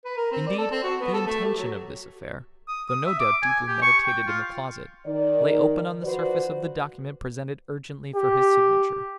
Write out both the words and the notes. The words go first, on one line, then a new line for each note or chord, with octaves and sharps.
Indeed, the intention of this affair, though no doubt deeply meditated in the closet, lay open on the surface of the document presented urgently for his signature.
B4
A#4
C4
D5
A4
C4
F#4
B3
A4
A3
G4
F#3
D#6
D#6
E5
D6
G#5
G4
C#6
G5
F4
D#3 D5
F3 F#4 B4 C5 D5
G4